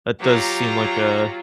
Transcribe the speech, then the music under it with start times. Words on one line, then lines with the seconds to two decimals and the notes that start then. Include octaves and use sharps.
that does seem like a
0.21 F#3 F4 G4 A#5